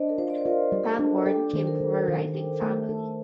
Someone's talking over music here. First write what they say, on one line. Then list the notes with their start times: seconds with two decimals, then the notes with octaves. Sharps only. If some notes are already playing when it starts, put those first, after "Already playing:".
Pangborn came from a writing family.
Already playing: D4 C5 D5 D#5
0.09 A#4
0.18 F4 C5
0.30 D5
0.38 C5
0.46 F4 A#4
0.72 G3
0.85 A4
0.99 D4
1.26 G4 A4
1.53 D#3 C5
1.67 A#4
1.81 D#3
2.08 D#3
2.35 G4
2.62 A3
2.89 A4